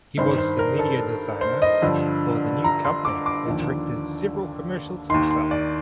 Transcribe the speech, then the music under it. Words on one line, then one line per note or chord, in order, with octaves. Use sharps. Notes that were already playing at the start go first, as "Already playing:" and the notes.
He was the media designer for the new company and directed several commercials himself.
G2 D#3 C5
C5
A#4
A4
C5
D#5
G2 D3 F3
A#5
C6
D6
D6
D#2 D3 F3
D#2 D#3 C6
C6
D5